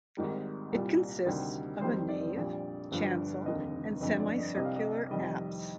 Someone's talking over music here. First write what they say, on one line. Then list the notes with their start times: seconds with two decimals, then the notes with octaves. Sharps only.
It consists of a nave, chancel and semicircular apse.
0.17 G#1 G#2 G3 A#4
0.72 C2 A#2 G3
1.26 D2 C3 D#3 G3
1.81 F1 F2 D#3 G3 C5
2.09 D5
2.37 A#1 A#2 G3
2.91 G1 G2 F3
3.46 F1 D#2 D3 D#5
4.01 G1 F2 D3 D#5
4.20 D5
4.37 D#5
4.55 C2 C3 G3 D#5
4.65 F5
4.76 D#5
5.11 F2 C3 D#3 G3 D#5